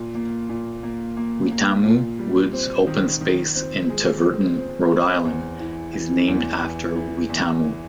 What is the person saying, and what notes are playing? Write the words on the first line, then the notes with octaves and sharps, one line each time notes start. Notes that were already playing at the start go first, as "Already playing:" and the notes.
Weetamoo Woods Open Space in Tiverton, Rhode Island is named after Weetamoo.
Already playing: A#2
A#3
A#2
A#3
A#3
A#3
A#2
G3
C4
D#3
D#3
C4
G#3
C4
C4
C4
E2
E3
E3
E2
E3
E3
E2
E3